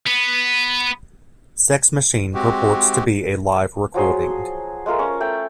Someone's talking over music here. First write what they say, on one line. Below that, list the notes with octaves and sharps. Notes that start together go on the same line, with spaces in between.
"Sex Machine" purports to be a live recording.
B3
G#3 C4 F#4 G4
F3 F#3 G#4 C6
G#3 A3 F4 A#4
C#4 C#6
A3 G5